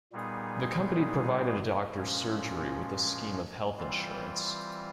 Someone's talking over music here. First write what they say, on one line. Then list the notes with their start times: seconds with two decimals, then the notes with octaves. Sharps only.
The company provided a doctor's surgery with a scheme of health insurance.
0.12 A#2 G3 B3 D#4 G#4
1.95 A#2 F3 G#3 C#4
3.76 E3 G3 C4 F4